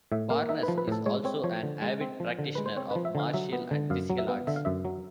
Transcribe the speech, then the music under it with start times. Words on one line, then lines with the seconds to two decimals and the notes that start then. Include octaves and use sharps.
Barnes is also an avid practitioner of martial and physical arts.
0.12 A2 E5
0.30 A#3 F5
0.49 D#4 E5
0.63 F3 B4
0.78 B4
0.88 A2 A4
1.06 G#3 C#5
1.25 C4 C#5
1.43 F3 C#5
1.63 D3
1.82 G#3
2.01 C4
2.20 F3
2.39 D3
2.55 G#3 B4
2.66 C5
2.77 C4 C#5
2.91 F3 B4
3.05 E5
3.15 D3 F5
3.33 F#3 E5
3.53 B3
3.71 D3
3.90 F#2 F5
4.10 F#3
4.18 E5
4.28 B3
4.47 D3 E5
4.56 F5
4.65 F#2 E5
4.85 F#3